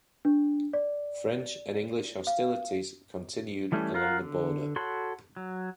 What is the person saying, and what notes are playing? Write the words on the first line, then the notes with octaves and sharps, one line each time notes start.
French and English hostilities continued along the border.
D4
D5
F5
E3 G3 A3 C#4
F4 A#4 F5 F#5
D3
F#4 A4 C#5 B5 C6
F#3